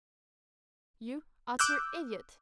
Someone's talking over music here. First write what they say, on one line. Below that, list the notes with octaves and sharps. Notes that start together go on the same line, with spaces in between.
You utter idiot!
D6 E6 F#6 G6